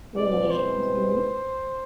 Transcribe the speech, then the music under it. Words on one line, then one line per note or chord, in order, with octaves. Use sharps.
Right. Mhm.
B2 G#3 C4 E4 B4 D5
C5